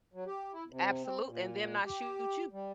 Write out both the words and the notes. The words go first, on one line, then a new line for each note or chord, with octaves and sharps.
Absolute and then I shoot you.
F#3
G4
E4
C3
C4
A#2
G4
G3